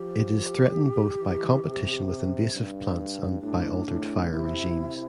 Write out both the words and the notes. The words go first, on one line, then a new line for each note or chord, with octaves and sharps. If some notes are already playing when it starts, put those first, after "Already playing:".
It is threatened both by competition with invasive plants and by altered fire regimes.
Already playing: F3 G4
E3
C3
G2
A2 D4
A2
C3 E4
C3